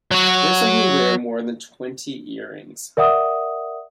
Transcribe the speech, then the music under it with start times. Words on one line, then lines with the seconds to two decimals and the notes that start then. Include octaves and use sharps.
There are some who wear more than twenty ear-rings.
0.11 F#3 F#4
2.97 A#4 D5 E5 F#5 D#6